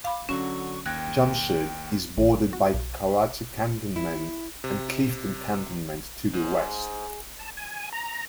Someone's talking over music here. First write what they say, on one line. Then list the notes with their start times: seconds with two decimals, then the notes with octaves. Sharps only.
Jamshed is bordered by Karachi Cantonment and Clifton Cantonment to the west.
0.04 F5 B5 D6
0.29 D3 F#3 C#4 F#4 C#6
0.86 D#2 G5 F#6 G#6 A#6
2.17 A1
2.53 F#4
2.74 B1
3.96 E4
4.64 C3
6.33 G#2
7.39 A5
7.57 G#5
7.93 A#5